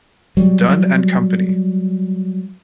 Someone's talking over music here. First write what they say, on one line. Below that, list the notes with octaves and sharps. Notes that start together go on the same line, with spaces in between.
Dun and Company.
F#3 G3